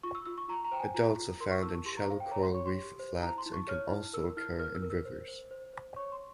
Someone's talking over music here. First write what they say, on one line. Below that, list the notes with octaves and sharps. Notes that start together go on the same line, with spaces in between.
Adults are found in shallow coral reef flats and can also occur in rivers.
F4 C#6
E6
F4 E6
C#6
F4 A#5
A#5
C5 G5
G#5
F4 A#5
F4
A#4 C6
C#6
E4 E6
C#6
G4 C6
A#5
C5 F5
G5
C#5 A#5
C6
C#5 C#6
C6
G4
C5
E4 A#5
C6
E4
C#6
C#5 F6
E4
A#4 E6
E4 F6
A#4 F6
E6
A#4
E6
C5
C5
C5
C5
C#5 C#6
C6